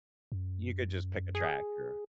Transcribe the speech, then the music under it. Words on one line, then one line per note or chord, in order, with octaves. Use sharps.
you could just pick a track or,
F#2
G#4